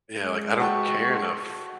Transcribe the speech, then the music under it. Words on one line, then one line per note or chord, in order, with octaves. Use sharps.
Yeah, like, I don't care enough,
G#3
F#4 G4 A4 B4 G5 C#6